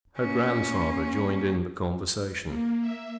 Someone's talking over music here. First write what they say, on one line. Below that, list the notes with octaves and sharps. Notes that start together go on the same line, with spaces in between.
Her grandfather joined in the conversation.
A#3 C#4
A#3
E5